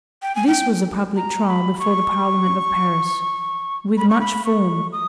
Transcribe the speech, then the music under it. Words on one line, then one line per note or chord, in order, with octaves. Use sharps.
This was a public trial before the Parliament of Paris, with much form.
G5
G#5
G5
A#5
B5
C#6
B5
C#6
B5
C#6
D#6